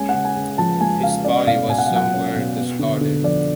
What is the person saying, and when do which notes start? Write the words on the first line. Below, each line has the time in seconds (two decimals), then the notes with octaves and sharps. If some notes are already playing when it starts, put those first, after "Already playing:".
His body was somewhere discarded.
Already playing: G#3 C#4 G#5
0.09 C#3 F#5
0.25 G#5
0.36 C#3
0.58 F3 A5
0.81 G#3 G#5
1.03 C#3 F5
1.24 C#4 D5
1.47 B2 F5
1.68 B2 G#5
1.78 F#5
1.86 F5
1.90 F#3
1.96 F#5
2.13 C#4
2.36 B2
2.58 B3
2.79 D3
3.01 D3
3.23 F3 D5